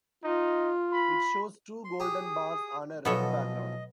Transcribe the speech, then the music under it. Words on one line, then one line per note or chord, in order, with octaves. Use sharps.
It shows two golden bars on a red background.
D#4 F4
B5
C6
G4 G#4 D#6
B1 E3 F3 B3 A4 C#5 D#5